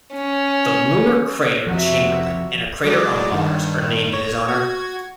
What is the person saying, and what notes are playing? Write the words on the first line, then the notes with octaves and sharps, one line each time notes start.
The lunar crater Chamberlin and a crater on Mars are named in his honor.
C#4
C3 F3 C4 F#4 E5
F#3 G#3 D5
G2 D#3
C#5
F#4 G#6